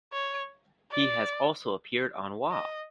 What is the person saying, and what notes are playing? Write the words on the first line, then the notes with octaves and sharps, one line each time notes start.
He has also appeared on Wah!
C#5
D5
D#5